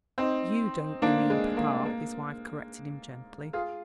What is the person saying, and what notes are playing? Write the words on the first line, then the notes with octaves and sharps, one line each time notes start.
"You don't, you mean, papa," his wife corrected him gently.
C4 D#4
A#3 D4
G#3
A#3
A#3
F4 G#4